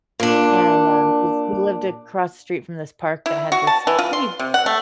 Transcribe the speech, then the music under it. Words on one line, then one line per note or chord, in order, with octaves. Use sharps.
and, um, jus we lived across the street from this park that had this pretty
A#2 D4
E4
F#4
A5
E3
F4
C6
C3
F#5
A3